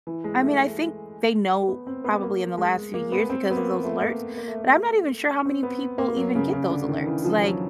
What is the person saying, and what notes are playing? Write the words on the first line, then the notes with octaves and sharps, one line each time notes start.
I mean, I think they know probably in the last few years because of those alerts, but I'm not even sure how many people even get those alerts, like,
E3
G#3
A3
B3
C4
B3
A#3
G#3
A#3
B3
C4
B3
A#3
A3
A#3
A#3
A3
A#3
C4
B3
A#3
F#3
C#3
C#3
D3
D#3
E3
F3
F#3